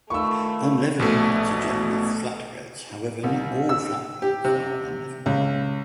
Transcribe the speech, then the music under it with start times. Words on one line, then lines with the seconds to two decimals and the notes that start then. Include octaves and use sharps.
Unleavened breads are generally flat breads; however, not all flat breads are unleavened.
0.10 D#3 A3 F4 B4 C#6 E6
0.99 A#1 B2 A3
3.23 C2
3.69 E6
4.22 G4
4.44 C3
5.26 C#2